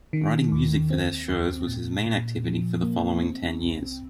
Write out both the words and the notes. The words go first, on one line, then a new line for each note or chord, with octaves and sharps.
Writing music for their shows was his main activity for the following ten years.
D#3
D#2
C4
D#2
A#2
A#2
F3
A#3
C4
C2